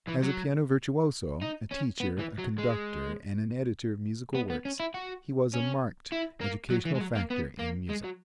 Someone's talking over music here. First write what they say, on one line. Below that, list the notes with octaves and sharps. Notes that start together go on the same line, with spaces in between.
As a piano virtuoso, a teacher, a conductor and an editor of musical works, he was a marked educational factor in music.
E3
F#3
D#4
C#4
B3
E3
F#3
G#3
B3
B3
C#4
E4
F#4
C#4
E4
A#3
F#3
E3
G#3
F#3
A#3
B3
A#3
G#3
F#3